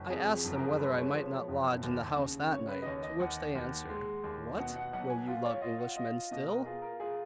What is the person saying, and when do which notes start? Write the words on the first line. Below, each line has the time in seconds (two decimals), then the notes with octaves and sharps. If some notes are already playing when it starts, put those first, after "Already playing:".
I asked them whether I might not lodge in the house that night, to which they answered, "What, will you love English men still?"
Already playing: F#1
0.09 F2 G#4
0.26 G#4
0.45 F#1
0.55 A#4
0.61 G#4
0.79 G#3 B4
0.96 C#5
1.13 F3 C#5
1.48 F#1
1.83 D#2
2.17 C#3
2.52 C#3 C#5
2.68 B4
2.82 D#5
2.86 D#2 C#5
3.03 D#5
3.20 D#2 F#5
3.55 D#2
3.89 G#3
4.24 D#2
4.58 B2 F#5
4.76 F#5
4.93 B1 F#5
5.04 F#5
5.09 G#5
5.27 F4 F#5
5.45 C#5
5.61 F4 D#5
5.79 F#5
5.96 F4 D#5
6.31 B2 D#5
6.48 A#4
6.65 F4 G#4
6.82 A#4
7.00 F4 G#4